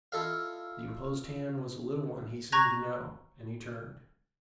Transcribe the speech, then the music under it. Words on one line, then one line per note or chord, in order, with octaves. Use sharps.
The imposed hand was a little one he seemed to know, and he turned.
E4 F4 A4 D#5 F5
A#5 C#6 F#6 G#6 A#6